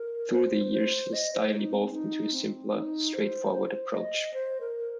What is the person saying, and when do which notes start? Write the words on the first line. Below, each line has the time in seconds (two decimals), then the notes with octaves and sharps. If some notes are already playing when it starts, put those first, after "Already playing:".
Through the years his style evolved into a simpler, straightforward approach.
Already playing: A#4
0.33 C5
0.73 C5
1.13 D#5
1.33 C5
1.53 D#4
1.73 C4
1.93 D#4
2.33 C4
2.73 D#4
3.13 C5
3.53 C5
3.94 D#5
4.33 C5
4.61 A#4